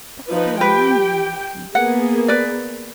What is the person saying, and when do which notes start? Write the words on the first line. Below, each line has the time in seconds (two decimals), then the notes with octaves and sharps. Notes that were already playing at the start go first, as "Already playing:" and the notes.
'That's beyond London, I reckon?
0.30 F3 D#4 B4
0.61 G4 B4 G5
1.75 A#3 B3 G#4 F#5
2.28 B4 D5